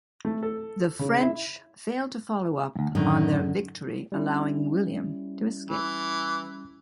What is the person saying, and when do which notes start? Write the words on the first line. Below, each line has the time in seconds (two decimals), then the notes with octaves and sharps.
The French failed to follow up on their victory, allowing William to escape.
0.25 A3
0.43 A4
0.99 C#3
1.20 E4
2.76 D2 G2
2.95 F#2 A2 D3 D#3
4.12 G3 C#4 E4
5.69 E3